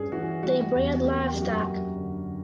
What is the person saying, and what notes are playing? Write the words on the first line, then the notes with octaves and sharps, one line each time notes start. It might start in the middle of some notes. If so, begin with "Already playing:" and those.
They bred livestock.
Already playing: G2 C#4 G#4
E3 F#4
G3 F#4
E2
A#3 G4
F#2 G4
F#4
G4
F#2
D3